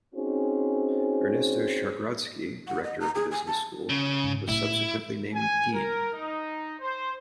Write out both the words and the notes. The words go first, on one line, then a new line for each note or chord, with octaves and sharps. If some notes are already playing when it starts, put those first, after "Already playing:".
Ernesto Schargrodsky, director of the business school, was subsequently named dean.
C4 C#4 D#4 F#4 G#4 C5
F#5
D#5
A#5
G#4
G#5
A5
C#3
G#2
A2 B3 E4
G#5
A#4
D#4
C5